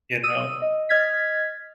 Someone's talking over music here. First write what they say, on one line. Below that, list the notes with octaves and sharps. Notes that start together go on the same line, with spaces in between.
You know?
D#6 E6 D#7
D#5
D#5 F6 G#6 A6 B6